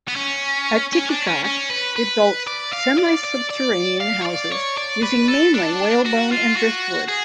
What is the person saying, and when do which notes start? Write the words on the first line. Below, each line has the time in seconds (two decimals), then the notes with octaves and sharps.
At Tikigaq, they built semi-subterranean houses using mainly whalebone and driftwood.
0.08 B3
0.16 C#4
0.93 C#4
1.10 D4
1.28 C#4
1.45 C#4
1.70 B4
1.96 B4
2.47 D5
2.73 F5
2.98 D5
3.24 D5
3.50 D5
4.00 F5
4.22 C#5
4.26 D5
4.52 C#5
4.77 D5
5.03 B4
5.28 A4
5.54 D4
6.05 F#4
6.32 F4
6.56 F#4
7.08 G#4